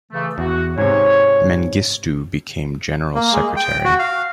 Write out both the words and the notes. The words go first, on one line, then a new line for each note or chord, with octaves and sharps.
Mengistu became general secretary.
C#3 E3 A3
E2 F#4
G#2 C3 C#5
A#3
G#3
G5
F#4
F5